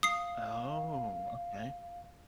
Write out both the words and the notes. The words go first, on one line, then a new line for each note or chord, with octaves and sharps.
Oh, okay.
F5 D#6 C7